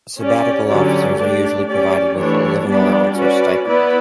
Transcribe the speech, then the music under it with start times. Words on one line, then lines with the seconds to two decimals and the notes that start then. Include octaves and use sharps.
Sabbatical officers are usually provided with a living allowance or stipend.
0.20 C#4 G4 D5
0.69 D3 F#3 C#4 G4 D5
1.18 A3 D4 G4 D5
1.68 C#4 G4 D5
2.17 E3 A3 D4 G4 C#5
2.67 G3 B3 D4 G4 D5
3.16 C#4 F#4 B4 D5
3.66 B3 E4 B4 D5